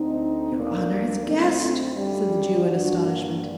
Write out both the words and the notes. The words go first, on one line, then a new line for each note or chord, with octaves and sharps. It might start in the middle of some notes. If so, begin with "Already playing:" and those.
"Your Honour has guessed?" said the Jew in astonishment.
Already playing: D2 D3 C4 D#4
A#3 D4
F#2 D3 A3 C4
A3 C4
G3
G2 D3 D4 F#4
A#3 D4